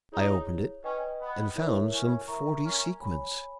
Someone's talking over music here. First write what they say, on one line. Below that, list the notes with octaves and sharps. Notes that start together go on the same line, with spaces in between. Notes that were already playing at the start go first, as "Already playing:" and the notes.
I opened it, and found some forty sequins.
D#4 E4 G#4 C#5
C#4 B4 D#5 G5
B3
E4 A#4 C#5 E5
C#4
A#4 E5 A#5 C#6
C#4
C#5 G#5 B5